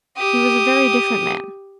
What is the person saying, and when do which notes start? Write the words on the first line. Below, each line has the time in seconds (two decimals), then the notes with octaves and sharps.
He was a very different man.
0.17 G4 D#6